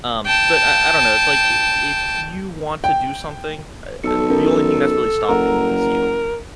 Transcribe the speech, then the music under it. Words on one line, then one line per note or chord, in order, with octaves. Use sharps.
Um, but I I don't know, it's, like, i i if you want to do something, uh uh, the only thing that's really stopping you is you.
G5 A5
G5
B1 A4 A5 E6 C#7
C#4 A#4
F#1 A#4 F#5 A#5